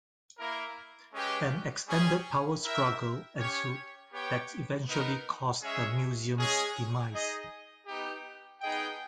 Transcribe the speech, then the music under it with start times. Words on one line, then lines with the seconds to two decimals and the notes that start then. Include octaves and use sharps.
An extended power struggle ensued that eventually caused the museum's demise.
0.38 A#3 E4 A#4
1.12 G#3 C#4 G4 B4
1.87 G3 C#4 G#4
2.62 E4 A#4 E5 G5
3.37 C#4 G4 C#5
4.12 B3 G4 C#5 G5
4.87 B3 D#4 A#4
5.61 G#3 C#4 G#4 C#5 E5
6.36 G#3 C#4 G#4 C#5
7.11 D#4 G#4 D#5
7.86 B3 D#4 G4
8.61 B3 D#4 G#4 D#5 G5